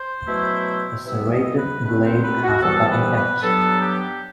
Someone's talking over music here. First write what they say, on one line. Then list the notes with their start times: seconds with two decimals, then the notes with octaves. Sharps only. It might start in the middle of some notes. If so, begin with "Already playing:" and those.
A serrated blade has a cutting edge.
Already playing: C5
0.25 B2 F#3 A3 E4
1.04 C3 E3 G3 B3 E5
1.30 D#5
1.58 B4
1.83 C2 B2 A3 C4 D#4 B4
2.04 C5
2.22 B4
2.43 F#4
2.62 C2 C3 E3 G3 B3 A4
2.89 B4
3.16 B4
3.42 G2 F#3 B3 A4
3.81 G4